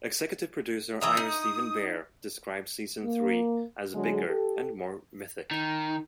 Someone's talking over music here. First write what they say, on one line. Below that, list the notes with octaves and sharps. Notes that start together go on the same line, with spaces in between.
Executive Producer Ira Steven Behr described season three as bigger and more mythic.
E3 E5 A#5 D#6
D#4
A#3
D3 F#3 G#3 G#4
G4 A4
D#3